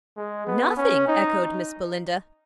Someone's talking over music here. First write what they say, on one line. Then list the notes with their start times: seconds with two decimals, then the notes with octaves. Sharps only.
"Nothing!" echoed Miss Belinda.
0.17 G#3
0.47 B3
0.77 C#4
1.08 D#4